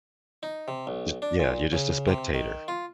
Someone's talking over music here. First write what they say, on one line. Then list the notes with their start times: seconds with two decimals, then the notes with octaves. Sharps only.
J yeah, you're just a spectator.
0.43 D#4
0.68 C3
0.87 B1
1.22 D4
1.40 A#2
1.73 C#3
2.08 C3
2.34 D#3
2.68 F4